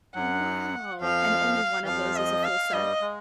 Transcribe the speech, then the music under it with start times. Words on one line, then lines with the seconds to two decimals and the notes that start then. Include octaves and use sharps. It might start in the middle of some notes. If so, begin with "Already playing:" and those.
Wow! And only one of those is a full set?
0.15 F#2 F#3 F#5
1.01 F2 F3 F5
1.84 E3
1.87 F2 F3 F5
2.16 D#5
2.44 F5
2.73 G2 G3 D#5
3.01 G#3